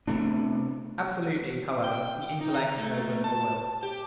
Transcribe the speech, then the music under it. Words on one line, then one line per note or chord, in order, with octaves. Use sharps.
Absolutely, however, the intellect is nobler than the will.
C3 A3 B3 D4
G5
D#4
A#5
A3
A5
G4